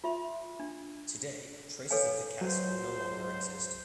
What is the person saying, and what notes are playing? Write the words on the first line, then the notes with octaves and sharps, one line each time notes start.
Today traces of the castle no longer exist.
F4 E5 C6
D4
A4 B4 C#5 F5 G#5
C#2 F#3 C5